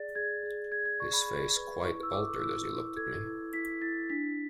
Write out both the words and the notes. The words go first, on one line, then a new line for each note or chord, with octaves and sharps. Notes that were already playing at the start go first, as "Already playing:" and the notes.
His face quite altered as he looked at me.
Already playing: G#4 D5 A6
G#4 G#6
G#4
G#4 G#6
G#6
D5 C#6
B5
G#4
B4
E4 C#6
E6
A4 D6
E4 E6
E4
A4 G#6
E4
E4 B6
E4 A6
D4 B6